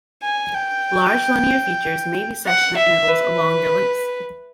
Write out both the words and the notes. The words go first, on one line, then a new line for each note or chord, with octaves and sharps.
Large linear features may be sectioned at intervals along their lengths.
G#5
G5
F#5
E5
B4